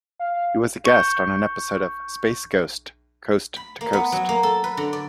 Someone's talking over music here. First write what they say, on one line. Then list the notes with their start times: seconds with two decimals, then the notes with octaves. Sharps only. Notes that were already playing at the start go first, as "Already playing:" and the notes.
He was a guest on an episode of "Space Ghost Coast to Coast".
0.19 F5
0.85 C#6 G6
3.56 B5
3.81 A#3
3.93 B3
4.12 F#3
4.29 A#3
4.43 A4
4.64 B4
4.77 D3
4.93 D5